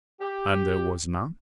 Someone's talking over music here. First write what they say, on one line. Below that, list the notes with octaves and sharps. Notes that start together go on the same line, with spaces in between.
"And there was none?"
G4